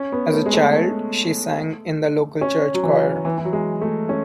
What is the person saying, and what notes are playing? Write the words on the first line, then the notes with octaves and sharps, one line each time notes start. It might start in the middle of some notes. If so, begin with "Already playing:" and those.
As a child, she sang in the local church choir.
Already playing: C#4
B3
A3
G#3
A3
C#4
F#3
E3
E3
E3
F#3
G#3
A3
C#4